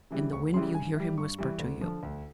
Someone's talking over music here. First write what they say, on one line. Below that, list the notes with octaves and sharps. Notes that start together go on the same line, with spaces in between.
In the wind you hear him whisper to you.
C#3 E3 G3
D2 C#6
C#3 E3 G3 C6
G2 G#5
E3 G3
G2 C#6
E3 G3
D2
D3 F3
D2